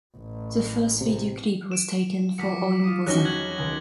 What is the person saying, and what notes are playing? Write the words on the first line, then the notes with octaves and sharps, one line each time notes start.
The first video clip was taken for "Oyunbozan".
A1
C3
D7 E7
F3 F#3 D6 B6 C#7
F4 D#6
E1 F#3 C#4 D#4 F#6 A#6 G7
F#6 G#6 F#7
C#2 D#3